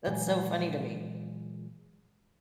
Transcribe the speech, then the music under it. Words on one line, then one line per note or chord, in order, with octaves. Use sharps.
That's so funny to me.
A#2 E3 F#3 G#3